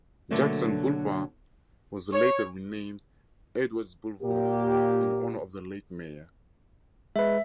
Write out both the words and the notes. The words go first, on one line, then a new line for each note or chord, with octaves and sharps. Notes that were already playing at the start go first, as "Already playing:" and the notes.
Jackson Boulevard was later renamed Edwards Boulevard in honor of the late mayor.
B2 D3 F#3 A3 A#3 D4
C#5
A#2 A#3 G4
G#3 B4 E5